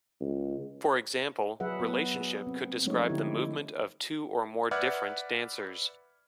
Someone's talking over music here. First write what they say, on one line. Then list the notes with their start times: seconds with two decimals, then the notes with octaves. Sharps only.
For example, relationship could describe the movement of two or more different dancers.
0.21 C#2
1.60 F#3 G#4 B4 E5 F#5
1.80 B3
2.15 G#4
2.47 C4
2.85 F3 G#3 A3 C#4 D#4 C#5
3.09 D3 E4 G4
4.71 B4 D5 E5 F#5 F6 G#6